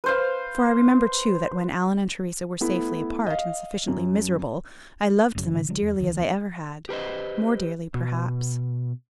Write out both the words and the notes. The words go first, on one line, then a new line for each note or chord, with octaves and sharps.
For I remember, too, that when Allan and Theresa were safely apart and sufficiently miserable I loved them as dearly as I ever had, more dearly perhaps.
B4 C5 F5
A3 B3 E4
D#5 F5
F#2
G#1 F#2 C#3 F#3
A2 D3
C#3 F3 G3 G#3
E2
D#1 C#2 D#3 E3
B3
G4 B4 C5 D#5
B2